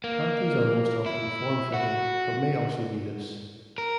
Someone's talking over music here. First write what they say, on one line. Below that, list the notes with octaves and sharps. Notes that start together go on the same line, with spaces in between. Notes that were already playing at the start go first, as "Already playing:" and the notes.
Panties are most often form-fitting, but may also be loose.
A#3
E4
F#4
A#4